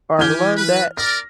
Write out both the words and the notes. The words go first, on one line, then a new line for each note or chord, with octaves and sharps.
or learned that
E3 G4 G#5 F6 G7
B4
A#4 D5 A#6